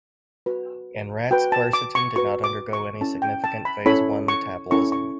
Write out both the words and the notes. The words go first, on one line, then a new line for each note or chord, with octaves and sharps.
In rats, quercetin did not undergo any significant phase one metabolism.
F#4 B4
F#4 B4 G5
A5
D6
C#6
F#4 B4 C#6
D6
C#6
C#4 E4 A4 C#5 A5
G5
A5
B5
C#4 E4 A4 C#5 B5
C#6
C#4 E4 A4 C#5 C#6
C#6